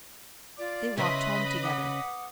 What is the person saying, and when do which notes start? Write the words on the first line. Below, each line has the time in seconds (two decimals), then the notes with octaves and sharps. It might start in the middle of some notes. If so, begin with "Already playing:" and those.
They walked home together.
0.58 F4 D5 D6
0.97 C#3 B4 D#5 E5 B5 C6
1.63 F#5 D6 D#6